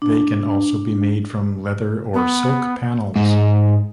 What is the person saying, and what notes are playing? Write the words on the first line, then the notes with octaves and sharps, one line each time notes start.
They can also be made from leather or silk panels.
D4
B3
G#2 G#3